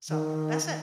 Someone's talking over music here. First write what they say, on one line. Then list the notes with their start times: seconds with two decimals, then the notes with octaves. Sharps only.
So, that's it.
0.09 D#3